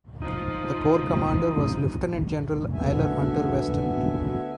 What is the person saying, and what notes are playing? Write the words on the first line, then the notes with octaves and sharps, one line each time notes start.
The corps commander was Lieutenant-General Aylmer Hunter-Weston.
F3 D#4
D2 B2 D3 B3 E5 G#5